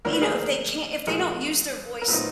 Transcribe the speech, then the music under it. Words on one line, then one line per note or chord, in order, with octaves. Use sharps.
you know, if they can't if they don't use their voice
D2 D3 F3 A#3 D4 A#4
B4
G#4 A#4
A#1 A#2 F3 A3 G#4 A#4
A#4
A#2 F#3 A3 C4 D#4 A4 B4